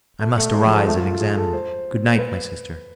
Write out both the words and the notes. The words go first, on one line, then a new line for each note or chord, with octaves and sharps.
I must arise and examine. Good night, my sister.
A3
A3
G#3
F3
G#3
A3
F4
F4
G#4
A4
C5
B4